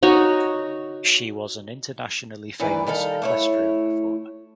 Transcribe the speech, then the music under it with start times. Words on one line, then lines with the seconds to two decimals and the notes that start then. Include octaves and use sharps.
She was an internationally famous equestrian performer.
0.03 D#4 F#4 C#5
2.60 D2 D#3 E3 B4 D5
2.87 D#3 G3 A4 F5
3.22 A3 E4 C#5